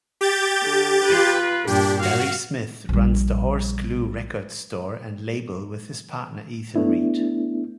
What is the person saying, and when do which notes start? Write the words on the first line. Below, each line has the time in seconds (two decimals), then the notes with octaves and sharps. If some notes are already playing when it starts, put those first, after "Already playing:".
Barry Smith runs the Horseglue Records store and label with his partner Ethan Reid.
0.21 G4 G6 A6
0.63 D3
1.06 F4 B4
1.67 G2 A#2 D4 G4
2.02 F#4 F5
2.89 A#1 G3
6.76 A3 B3 D4 E4